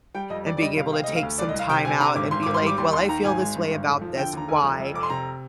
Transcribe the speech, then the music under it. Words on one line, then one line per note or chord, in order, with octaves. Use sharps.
and being able to take some time out and be like, "Well, I feel this way about this, why?
G3 G5
F2 D#5
F2 D5
D5
G3 D#5
C3 F5
C3 F5
D2 D#5
F5
D2
C2 D5
D#5
C2
F5
C3 G5
C3 G#5
D3 A#5
G#1 D6
G#1 C6
G#1 D6
C6
G3 D6
D#2 C6
D#2 C6
D#3 A#5
G#1 G#5
G#3
G2
G#1
F1
F3
D3 G5
D#2 A#5
F1 G#5
F2
F2
F1 D6
C6
C3 A#5